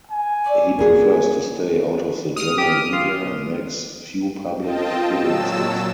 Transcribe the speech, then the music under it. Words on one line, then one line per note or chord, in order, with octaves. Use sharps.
He prefers to stay out of the general media and makes few public appearances.
G#5
C#5 D5 E5
F#3 G3 A#3 B3 G#4
D#6 F6
G4
F4
C4 F4 D#5 G5 A5
A#2 F#3 A5 E6 E7